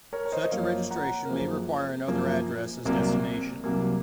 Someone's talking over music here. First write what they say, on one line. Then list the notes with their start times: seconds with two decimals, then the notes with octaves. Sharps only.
Such a registration may require another address as destination.
0.13 A#4 C#5
0.26 C#5
0.32 C5 D#5
0.44 D#5
0.52 F#2 F3 A#3 C#5 F5
0.91 F#5 A#5
1.25 A#4
1.30 F#2 F3 A#3 G#4 C5
2.07 F#2 F3 A#3
2.85 C2 C3 F#3 A#3
3.64 C2 C3 F#3 A#3